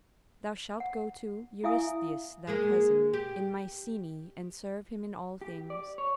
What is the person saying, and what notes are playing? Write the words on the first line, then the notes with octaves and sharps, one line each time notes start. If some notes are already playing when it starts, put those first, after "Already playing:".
Thou shalt go to Eurystheus, thy cousin, in Mycenae, and serve him in all things.
F#5
E4 E5 F5 G#5 D#6
G#3 A#3 G#4
G4
G4
D5
C#5